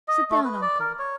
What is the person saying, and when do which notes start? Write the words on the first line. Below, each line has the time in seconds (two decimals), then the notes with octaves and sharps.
Sit down, uncle.
0.08 D#5
0.31 A3
0.45 B4
0.62 D5
0.80 A#4
0.99 C#5